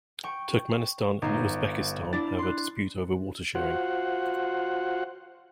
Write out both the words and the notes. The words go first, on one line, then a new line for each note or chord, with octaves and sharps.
Turkmenistan and Uzbekistan have a dispute over water-sharing.
G5 C#6
G1 D#4 F5
D4 E4 A6
C6 F#6
F4 F#4 C5 F#5